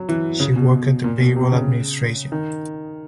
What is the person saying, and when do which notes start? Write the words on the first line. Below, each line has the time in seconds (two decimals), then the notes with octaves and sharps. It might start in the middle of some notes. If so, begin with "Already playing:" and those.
She worked at the payroll administration.
Already playing: F#3
0.09 E3
0.40 C#3
0.56 B2
1.04 A#2
1.20 B2
1.36 C3
1.52 C#3
2.32 D#3